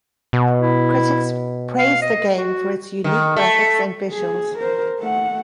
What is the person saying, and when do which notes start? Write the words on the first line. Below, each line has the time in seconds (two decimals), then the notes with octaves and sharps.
Critics praise the game for its unique graphics and visuals.
0.33 B2
0.61 E4
1.79 F5
2.02 D#5
2.37 F#4
3.04 D#3
3.36 A3
4.11 G#4
4.58 A#4 C5
4.99 A3 F#5